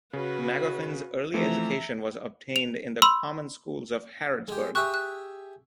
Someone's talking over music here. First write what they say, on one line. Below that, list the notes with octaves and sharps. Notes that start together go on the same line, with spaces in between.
Magoffin's early education was obtained in the common schools of Harrodsburg.
C#3 C#4 F#4 B4
E3 F3 A3 C4 E5 A#5
F7
B5 C6 E6
G#3 G4
G4 G#4 E5 C#6 F#6
F#6